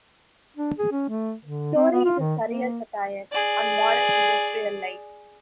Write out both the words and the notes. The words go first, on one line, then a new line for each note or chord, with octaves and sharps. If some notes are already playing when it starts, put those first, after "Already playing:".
The story is a surreal satire on modern industrial life.
D4
G#4
C#4
A3
D3
C4
B3
F4
D#3
A#3
G#4 D5